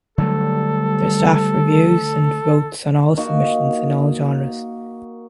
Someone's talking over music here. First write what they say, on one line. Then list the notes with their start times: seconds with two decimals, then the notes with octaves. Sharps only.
Their staff reviews and votes on all submissions in all genres.
0.18 D3 F#3 G3 A3 A4
3.17 A#3 D#4 F#4